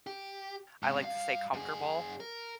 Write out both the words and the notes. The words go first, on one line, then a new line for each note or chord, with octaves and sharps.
I like to say, comfortable?
G4
G#2 C3
G2 F5
F#2 G#4
A#4